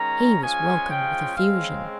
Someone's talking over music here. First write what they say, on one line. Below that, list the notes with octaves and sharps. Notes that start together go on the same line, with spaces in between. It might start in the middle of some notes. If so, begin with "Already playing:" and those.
He was welcomed with effusion.
Already playing: D#3 G#3 C#4 A#5
C#3 F3 G#3 C#4 F4 G#5
G5
C#3 G#3 C4 F5